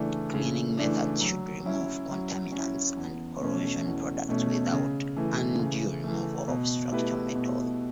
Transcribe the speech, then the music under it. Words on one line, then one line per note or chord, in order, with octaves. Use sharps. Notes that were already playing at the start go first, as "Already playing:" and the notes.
Cleaning methods should remove contaminants and corrosion products without undue removal of structural metal.
Already playing: C#3 E3 A3 D4
C#3
E3 A3 D4
F#3
C#4 E4
F#3
C#4
E4
E2
B2 A3 C#4
E2
B2 A3 C#4
C#3
E3 A3
C#3
E3 A3
B2
A3 E4 G4 B4
B2